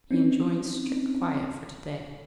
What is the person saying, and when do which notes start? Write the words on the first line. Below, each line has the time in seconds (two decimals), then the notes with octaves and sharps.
He enjoins strict quiet for to-day.
0.11 C4 C#4 D#4